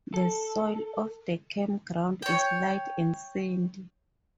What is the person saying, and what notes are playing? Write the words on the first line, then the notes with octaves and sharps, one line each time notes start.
The soil of the campground is light and sandy.
A4
C#5 G5